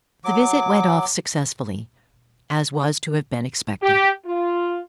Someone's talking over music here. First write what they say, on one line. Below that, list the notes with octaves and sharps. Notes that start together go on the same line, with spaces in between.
The visit went off successfully, as was to have been expected.
F#3 D6
G4
F4